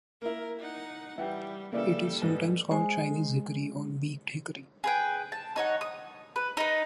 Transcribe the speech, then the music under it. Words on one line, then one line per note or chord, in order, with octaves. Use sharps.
It is sometimes called Chinese hickory or beaked hickory.
A#3 E4 A#4
D#4 F#5
E3 G3 E5 F#5 G5
C#3 E3 G3 A#3 A4 D5 E5
G#2 B3
G#3 C5 G#5
G#4 B4 G5
A5
D#4 C#5 F#5
D#6
B4
D#4 B4